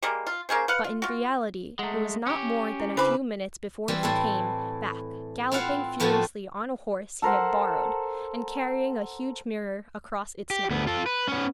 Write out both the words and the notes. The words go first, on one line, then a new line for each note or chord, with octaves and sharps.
But in reality it was not more than a few minutes before he came back, galloping furiously on a horse he had borrowed, and carrying a huge mirror across its neck.
G3 G#3 A#3
F4
A#3 C#4 G#4 C5
B4 F5 F#5
F4
F4 F#4
G#3 A3 F#5 A#5
C#4 G4
E4
C#3 D4 E4 B4 C5 B5 D6
E3 G3 C4
A2 E4 A4
C4 E4 F4 F5 F#5
A2 F3 A3 B3 C4 F#4
A4 A#4 C5 F#5
G4
D2 B3
F4 A4
B4
B3 C#4